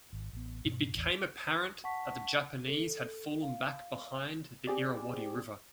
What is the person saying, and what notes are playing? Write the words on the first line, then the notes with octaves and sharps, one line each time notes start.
It became apparent that the Japanese had fallen back behind the Irrawaddy River.
G#1
A1 B3
G2 B2
A1 E2
F#5 A5 C#6 B6
A4
F5
C4 G4 G#4 D5